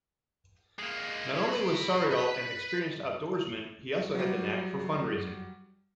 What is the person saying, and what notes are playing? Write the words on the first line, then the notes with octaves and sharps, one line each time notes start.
Not only was Sauriol an experienced outdoorsman he also had the knack for fundraising.
G#3 A#3
C#4 G#4
F#4 B5
B4 B5
F#3 G3